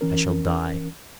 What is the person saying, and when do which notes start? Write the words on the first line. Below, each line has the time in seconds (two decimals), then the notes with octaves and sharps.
I shall die.
0.01 E3 C#4 A#4